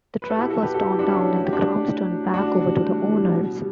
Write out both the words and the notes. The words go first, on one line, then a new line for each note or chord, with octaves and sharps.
The track was torn down and the grounds turned back over to the owners.
B4
A4
B2 E4 G4
F#4 A4
F#3 G4 B4
F#4 A4
B2 E4 G4
D4 F#4
F#3 C#4 E4
A2 F#4
G4
D4 F#4
F#3
A2
F#3
A2 D4 F#4
E3 G3
A2
E3 G3
B2
G3